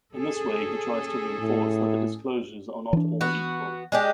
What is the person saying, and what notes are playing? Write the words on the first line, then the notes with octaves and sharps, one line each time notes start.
In this way, he tries to reinforce that the disclosures are not all equal.
C#4 G#4 A4
A2
E3 D4
B3 F#4
G#3 D4 G4